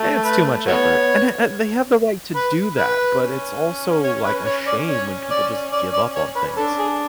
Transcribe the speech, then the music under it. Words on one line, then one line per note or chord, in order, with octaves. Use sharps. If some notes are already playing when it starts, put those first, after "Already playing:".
"it's too much effort," and a and they have the right to do that, but it's also, like, a shame when people just give up on things.
Already playing: A3
B4
B3 F#4 A4 C#5
B4
B4
C#4
C#5
B4
C#5
D5
C#5
D5
D5
D5
C#5
B4
D4 A4
G#4